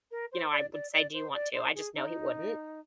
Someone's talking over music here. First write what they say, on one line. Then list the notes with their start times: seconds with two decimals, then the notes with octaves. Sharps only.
you know, I would say, "Do you want to?" I just know he wouldn't.
0.11 A#4
0.32 C5
0.51 D5
0.73 D5
0.92 D5
1.13 C5
1.34 D5
1.54 C5
1.75 G#4
1.95 D#4